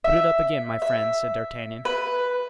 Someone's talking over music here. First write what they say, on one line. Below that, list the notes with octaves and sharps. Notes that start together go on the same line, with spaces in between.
"Put it up again, my friend," said D'Artagnan.
E5
E5
B4